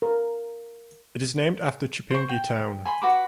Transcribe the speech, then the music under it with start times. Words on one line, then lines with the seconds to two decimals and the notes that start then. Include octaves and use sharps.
It is named after Chipinge town.
0.02 A#4
2.11 C5 C#6
2.29 G5
2.85 G#5 B5 C6
3.02 F#4 B4 D6